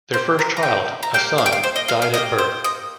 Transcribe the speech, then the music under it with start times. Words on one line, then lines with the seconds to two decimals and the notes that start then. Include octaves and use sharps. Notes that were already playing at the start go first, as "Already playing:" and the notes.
Their first child, a son, died at birth.
0.13 A#3 C5
0.17 G4
0.39 A#4
0.57 A#5
0.63 G5
1.03 A#5
1.14 A#3 G4 G5
1.38 F5
1.46 G5
1.52 F5
1.63 C5
1.76 D#5
1.88 F5
2.02 F5
2.14 A#3 D#4 G4 D#5
2.39 C5
2.64 D#5